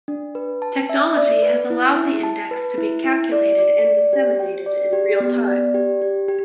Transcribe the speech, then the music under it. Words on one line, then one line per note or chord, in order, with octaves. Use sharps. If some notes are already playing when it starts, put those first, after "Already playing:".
Technology has allowed the index to be calculated and disseminated in real time.
D4
B4
A5
E5
D5
B4
E4
E4
A5
B4
E4
E4
D5
D5
D5
G4
G5
D5
G4
B3
D5
G4
G4
G4